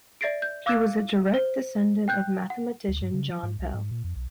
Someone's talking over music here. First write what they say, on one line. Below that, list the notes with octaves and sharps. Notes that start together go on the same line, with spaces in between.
He was a direct descendant of mathematician John Pell.
D5 E5 A6 A#6 C7 D7
G6
F5 D6 E6 F#6 G#6 A6
C5
G5 F#6 G6
F#5
D2
G2
C#3
F3
G#2
C2
G#2
A#2
F2
B1